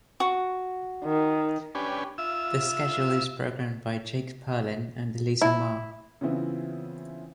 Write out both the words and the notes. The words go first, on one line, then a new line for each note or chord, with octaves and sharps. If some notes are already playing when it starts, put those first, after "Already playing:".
The schedule is programmed by Jake Perlin and Aliza Ma.
F#4
D#3
C#4 D4 G4 B4 G#5
F4 E5 E6
E4
C#3 E3 B3 C4 E4 F4